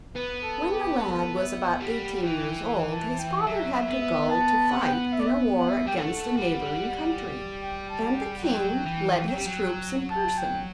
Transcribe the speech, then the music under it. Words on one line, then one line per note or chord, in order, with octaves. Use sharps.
When the lad was about eighteen years old his father had to go to fight in a war against a neighbouring country, and the king led his troops in person.
B3 B4
A4
G4
A4
E5
G3 F#5
F#5
E3 G5
F#5
A5
G5
F#5
F#3 E5
E5
B3
E5
A5
F#5
G5
F#5
E5
D5
E5
F#5
E5
G3 G5
A3 F#5
G3
G5
A5
F#5
G5
F#5
F#3 G5
E3
F#3
G3
F#3
A5
G5